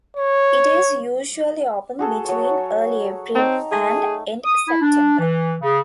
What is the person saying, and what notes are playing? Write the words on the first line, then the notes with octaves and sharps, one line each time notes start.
It is usually open between early April and end September.
C#5
F#4 G#4 A4
F#3 C#5
C4 D#4 G5 A#5
A3 G#4
D#6
E4
D4
E3
C#3